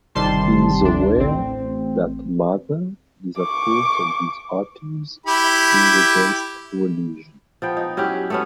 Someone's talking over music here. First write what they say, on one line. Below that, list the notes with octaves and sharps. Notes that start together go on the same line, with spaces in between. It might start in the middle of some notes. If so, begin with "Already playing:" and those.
He is aware that "Mother" disapproves of these authors as being against religion.
G1 C3 D#3 G3 A5 C6
D2 D4
A1 C4
C#6 D6
E4 G4 B5
F3 B3 G5
D#4
F#3 C#4 E4 G4
A3 B3 C#4